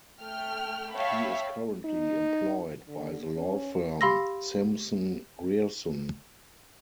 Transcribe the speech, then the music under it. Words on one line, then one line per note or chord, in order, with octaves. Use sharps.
He is currently employed by the law firm Simpson Grierson.
A3 G5 F6
C#5 E5 F5 G5 A5 B5
D#4
D3
C#4
G4 F5 B5 C6 E6 A#6